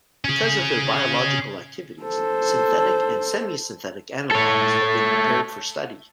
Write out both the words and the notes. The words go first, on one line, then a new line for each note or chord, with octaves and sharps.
Because of their biological activities, synthetic and semi-synthetic analogs have been prepared for study.
C#4 G#4
A4 C5
A4 C#5